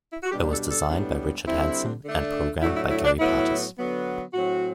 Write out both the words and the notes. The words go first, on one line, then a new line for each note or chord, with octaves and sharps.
It was designed by Richard Hanson and programmed by Gary Partis.
E4
F#4
B2 G3 D4 G4
A4
A4
A2 G3 B3 D4
D3 G3 C4 E4
D3 A3 D4
A2 F#3 A3 D4 E4
E4
E4
D4
A2 F#3 B3 E4
D3 F#3 B3
A2 F#3 C4 F#4